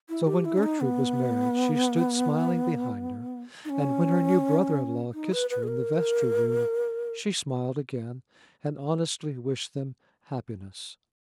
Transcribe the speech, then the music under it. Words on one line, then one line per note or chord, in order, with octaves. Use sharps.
So when Gertrude was married she stood smiling behind her; and when her new brother-in-law kissed her in the vestry-room she smiled again, and honestly wished them happiness.
E4
G4
E4
C#4
D#4
B3
D#4
C#4
D#4
B4
B4
G#4
A#4